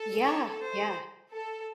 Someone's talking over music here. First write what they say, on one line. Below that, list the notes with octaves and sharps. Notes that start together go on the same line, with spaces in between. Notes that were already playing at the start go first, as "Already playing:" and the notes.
Yeah, yeah,
Already playing: A4
C#5
C5
A4